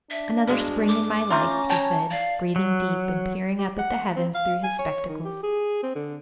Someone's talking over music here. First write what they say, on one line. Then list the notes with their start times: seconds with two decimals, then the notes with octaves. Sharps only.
"Another spring in my life," he said, breathing deep and peering up at the heavens through his spectacles.
0.11 D4 E5
0.47 G2 G#3 F#4
0.88 D6
1.30 A3 C#4 F4 A#5
1.70 C#5 G5 A5
2.11 D5 F5
2.56 F#3
3.58 G4
3.79 F#5
4.16 C4
4.35 F5
4.64 G#5
4.79 C#5
5.08 D#3
5.25 G4
5.43 G#4
5.83 C4
5.95 D3